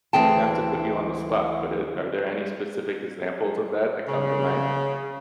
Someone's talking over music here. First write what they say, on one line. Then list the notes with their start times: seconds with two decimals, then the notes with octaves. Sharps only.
not to put you on the spot, but it are there any specific examples of that that come to mind?
0.13 D2 E3 C4 G#4 G5 A5
4.08 C#3